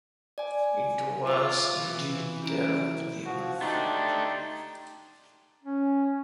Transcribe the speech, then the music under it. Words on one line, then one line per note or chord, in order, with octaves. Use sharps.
It was, indeed, their opinion.
D5 G#5
F4 C#6 D6
E3
C#4 E4 D7
F3 F#4
A3 D4 D#4 G4 C6
C#4